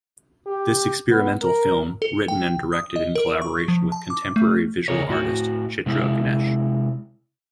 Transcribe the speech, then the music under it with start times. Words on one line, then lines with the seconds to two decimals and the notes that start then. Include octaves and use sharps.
This experimental film written and directed in collaboration with contemporary visual artist Chitra Ganesh.
0.46 G4
1.11 B3
1.42 A#4
2.02 A4
2.28 G5
2.72 D#6
2.96 D#5
3.15 A#4
3.42 C#6
3.68 F3
3.92 A5
4.10 D6
4.36 A3
4.88 C#3 G#4 A#4 C#5
5.09 A2 F#4
5.86 C3 G#3 E4